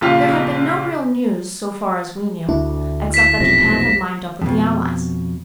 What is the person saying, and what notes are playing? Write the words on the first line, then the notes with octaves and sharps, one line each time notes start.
There had been no real news so far as we knew, except that Japan had lined up with the Allies.
A#1 C#3 F4 G4 F5
D2 D4 E4
B6 E7
B1 F2 C3 A#6
F2 B2